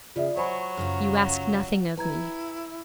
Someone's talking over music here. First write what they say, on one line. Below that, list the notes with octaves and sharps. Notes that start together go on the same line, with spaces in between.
'You ask nothing of me.
C#3 F4 G#4 D5 E5
F#3 C5 C#5 G#5 B5 C#6
F#2 C#3 F4
E4 B4 G#5 A#5 G#6